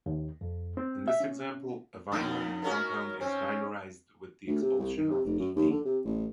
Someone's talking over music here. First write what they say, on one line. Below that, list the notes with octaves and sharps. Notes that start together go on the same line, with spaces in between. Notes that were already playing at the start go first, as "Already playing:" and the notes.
In this example, a vinyl compound is dimerized with the expulsion of ethene.
D#2
F2
C4
E5
C#4
F2 D4 D#4
B3 C#4 F#4 A#4
C4 C#4
D2
C3
C2
D#3
C3
F1
F#2
D#2
D3
C3
A1